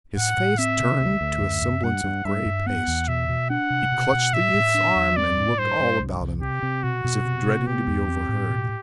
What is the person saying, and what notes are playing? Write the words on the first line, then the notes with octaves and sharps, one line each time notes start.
His face turned to a semblance of gray paste. He clutched the youth's arm and looked all about him, as if dreading to be overheard.
A2 F#5
A2
C4 E5
C3
D2
D2
F#2
F#2
G2 F#5
G2
G2 E5
G2
B3 F#5
E2
B2 E5
B2
D4 F#5
C3
B2
B2
A2 E5
A2
D4
E2
C4 D5
A2
G2 C5
G2
C2
C2
C3 G4
C3
B2 F#4
B2
C3
C3
B3 G4
E2
C4
A2
B2